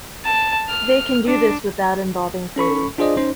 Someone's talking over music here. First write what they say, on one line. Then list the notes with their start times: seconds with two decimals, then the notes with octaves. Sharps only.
They can do this without involving food.
0.25 A5
0.69 F6
1.27 D4
2.56 C#4 A4 B5 C#6
2.98 D4 F4 G#4 C5 D5 D#5
3.17 C#4 D#4 C5